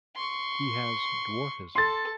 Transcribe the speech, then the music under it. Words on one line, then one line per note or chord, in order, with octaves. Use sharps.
He has dwarfism.
C6 C#6
A4 C6 A6